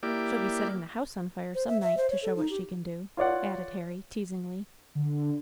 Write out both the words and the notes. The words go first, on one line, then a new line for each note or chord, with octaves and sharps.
"She'll be setting the house on fire some night, to show what she can do," added Harry, teasingly.
A#3 E4 G4 D5
C5
E5
E5
C5
C#5
A4
D#4
G4
F4 C#5 D5 F#5
D3